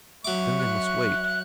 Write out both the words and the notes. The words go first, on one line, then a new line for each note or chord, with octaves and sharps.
Then they must wait.
F#3 E5 C#6 D6
F#6